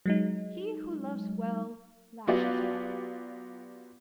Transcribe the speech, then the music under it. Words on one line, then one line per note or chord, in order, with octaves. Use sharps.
He who loves well lashes well.
F#3 G#3 D#4
F#3 B3 F4 G4 D5